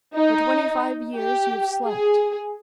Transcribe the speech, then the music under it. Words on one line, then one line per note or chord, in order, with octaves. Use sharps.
For twenty-five years you have slept.
D#4
G4
G#4